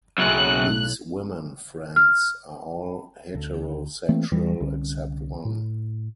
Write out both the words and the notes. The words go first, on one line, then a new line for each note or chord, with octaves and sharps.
These women friends are all heterosexual except one.
B1 F#2 C#3 F#6
F6
D2 D3
E3 A3 A#3 C4
E2 E3 G3
C2 D3 C#4
A2